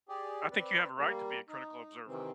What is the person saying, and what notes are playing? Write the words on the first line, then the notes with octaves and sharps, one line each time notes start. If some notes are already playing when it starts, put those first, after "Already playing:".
I think you have a right to be a critical observer.
G4 G#4 D5
C4 B4 D5
G3 A#3
D#4
C3 D#3 E3 C4